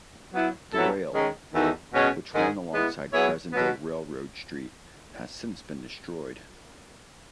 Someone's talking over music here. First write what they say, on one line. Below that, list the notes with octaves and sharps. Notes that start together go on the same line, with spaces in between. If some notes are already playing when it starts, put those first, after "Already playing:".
The rail, which ran alongside present-day Railroad Street, has since been destroyed.
F#3 B3 E4
G#2 F#3 B3 E4 A4
D#3 G#3 C#4
E2 D#3 A3 D#4 F#4
B2 G#3 C#4
G#2 D#3 G#3 D#4 G#4
G#3 B3 E4
F#3 B3 E4 G#4 C#5
B2 F#3 B3